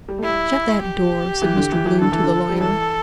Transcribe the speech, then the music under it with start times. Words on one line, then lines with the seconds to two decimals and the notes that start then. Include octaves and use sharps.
"Shut that door," said Mr. Bloom to the lawyer.
0.09 G3
0.18 A3
0.23 G3 E4
0.83 G4
1.42 E3
1.57 D3
1.72 E3
1.86 E3
2.01 D3 A4
2.12 E3
2.23 D3
2.49 G3
2.60 E3 A4